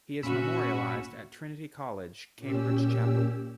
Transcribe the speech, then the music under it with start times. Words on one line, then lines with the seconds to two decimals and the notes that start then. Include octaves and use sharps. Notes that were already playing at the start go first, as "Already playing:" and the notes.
He is memorialised at Trinity College, Cambridge chapel.
0.23 A#2 C#4 F#4 B5 E6
2.37 A#2 C#4 G4 E6